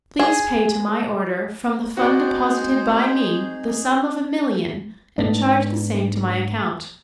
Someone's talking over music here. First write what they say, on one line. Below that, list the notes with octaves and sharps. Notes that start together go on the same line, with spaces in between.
Please pay to my order, from the fund deposited by me, the sum of a million, and charge the same to my account.
G#4
C4 D#4 F#4 G#4 C5 D5
G#2 B3 D4